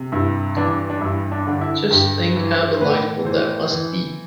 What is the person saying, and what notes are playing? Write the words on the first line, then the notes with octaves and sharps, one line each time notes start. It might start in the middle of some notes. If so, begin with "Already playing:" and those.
Just think how delightful that must be!
Already playing: C3
G2 E4
E3 D4
D4
G2 E4
D4
D3 D4
E4
G2 G4
E3
C5
C5
A2 B4
E3 C5
E3